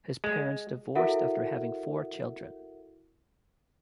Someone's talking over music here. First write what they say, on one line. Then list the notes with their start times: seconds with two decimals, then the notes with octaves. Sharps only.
His parents divorced after having four children.
0.24 G#3
0.95 E4 F#4 A4 A#4 E5 F#5